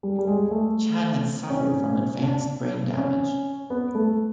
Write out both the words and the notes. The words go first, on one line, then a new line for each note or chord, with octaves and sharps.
Chan had suffered from advanced brain damage.
G3
G3
G#3
A3
C#4
D4
C#4
B3
A3